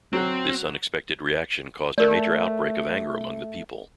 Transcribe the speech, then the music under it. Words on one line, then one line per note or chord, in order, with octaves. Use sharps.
This unexpected reaction caused a major outbreak of anger among the people.
F#3 C4 F#4
A3 A#4 D5